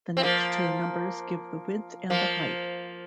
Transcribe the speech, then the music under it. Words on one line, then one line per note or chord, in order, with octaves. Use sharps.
The next two numbers give the width and the height.
C4
F3 A#3
F3 A#3